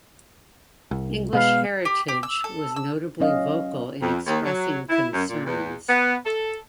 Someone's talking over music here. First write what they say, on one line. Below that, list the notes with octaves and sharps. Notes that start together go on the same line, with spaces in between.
English Heritage was notably vocal in expressing concerns.
C2
B2 G#3 B3 F5
G4
G4
E6
A4
E6
F#3 C#4 D#5 F5
F2
D#2
F#3
E4
F#2
A#2
E2
B3
A4